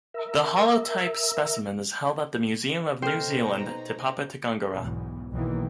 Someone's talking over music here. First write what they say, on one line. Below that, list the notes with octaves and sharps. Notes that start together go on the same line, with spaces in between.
The holotype specimen is held at the Museum of New Zealand Te Papa Tongarewa.
A#4 E5
B2 D#4 A4 C5 C#5 G5 A#5 F6
B1 E2 G#2
B1 E2 D#3 E3 A#3